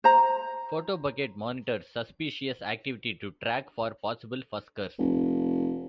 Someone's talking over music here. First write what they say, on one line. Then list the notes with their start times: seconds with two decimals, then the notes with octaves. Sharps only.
Photobucket monitors suspicious activity to track for possible fuskers.
0.04 C5 A#5
4.99 F1